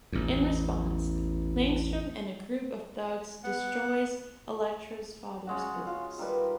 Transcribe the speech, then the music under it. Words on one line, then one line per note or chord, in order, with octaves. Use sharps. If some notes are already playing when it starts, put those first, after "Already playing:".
In response, Langstrom and a group of thugs destroys Elektra's father's business.
A1 E2
B3 F#5
C#3 G#3 F#4
F4
D#3 G3 B4